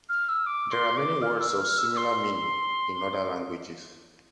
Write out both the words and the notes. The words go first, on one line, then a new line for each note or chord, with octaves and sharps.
There are many words of similar meaning in other languages.
F6
E6
D6
C6
D6
F6
E6
F6
E6
C6